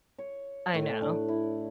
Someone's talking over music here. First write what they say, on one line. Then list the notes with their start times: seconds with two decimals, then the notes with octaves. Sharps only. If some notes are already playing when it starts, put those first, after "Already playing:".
I know.
0.18 C#5
0.74 A2
1.02 D4
1.28 E4